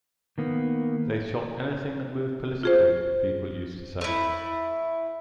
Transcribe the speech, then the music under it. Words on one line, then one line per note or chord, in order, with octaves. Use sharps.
"They shot anything that moved politically," people used to say.
D#3 A#3 B3
F4 G#4 C5
A3 E4